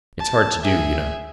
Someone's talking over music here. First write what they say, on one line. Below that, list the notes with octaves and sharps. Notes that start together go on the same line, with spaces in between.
It's hard to do, you know.
A5
G#4 E5